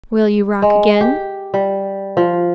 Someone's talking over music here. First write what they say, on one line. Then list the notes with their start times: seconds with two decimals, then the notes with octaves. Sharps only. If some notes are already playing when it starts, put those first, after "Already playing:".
"Will you rock again?"
0.62 G#3
1.01 G4
1.54 G3
2.17 F3